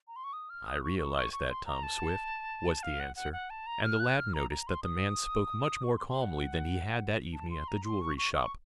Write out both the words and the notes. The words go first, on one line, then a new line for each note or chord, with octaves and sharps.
"I realize that, Tom Swift," was the answer, and the lad noticed that the man spoke much more calmly than he had that evening at the jewelry shop.
A#5
C6
C#6
D#6
F6
D#6
C#6
C#6
C#6
C#6
C6
A#5
A5
F5
F#5
F#5
F#5
A5
A#5
F6
F#6
F6
A#5
A#5
C6
D#6
C#6
C6
C6
F#5
A5
C6
A#5
C6
C#6
C#6
C#6